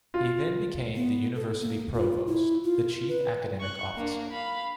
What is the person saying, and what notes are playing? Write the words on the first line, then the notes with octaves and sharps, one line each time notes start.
He then became the university provost, the chief academic officer.
F4
B3
A4
A#3
F4
E4
F4
B4
C#6 F#6
A#3 D4
F5 B5